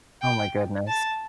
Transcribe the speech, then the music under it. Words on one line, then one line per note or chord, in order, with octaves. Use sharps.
Oh my goodness.
G5
A5